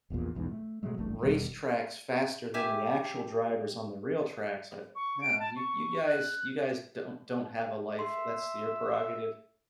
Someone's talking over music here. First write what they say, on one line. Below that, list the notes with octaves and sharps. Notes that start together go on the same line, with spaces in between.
racetracks faster than the actual drivers on the real tracks, eh no, you you guys you guys don't don't have a life, that's your prerogative,
E1 A#1 E2 A#2
B1 E2 G#2
A3
B2 F#3 G#3 A3
D1 A1 G2 A3
E1 B2 D#3 G3
G4 E5 G#5
C#6
D7
A5
C#6
F#6
E5 C6